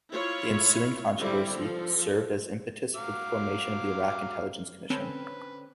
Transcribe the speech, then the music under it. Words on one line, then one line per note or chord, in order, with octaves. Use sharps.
The ensuing controversy served as impetus for the formation of the Iraq Intelligence Commission.
E4 F4 C#5
D3 G3 C4 E4
F3 A4
F#3 F5 D6
D3 C4 C#4 B4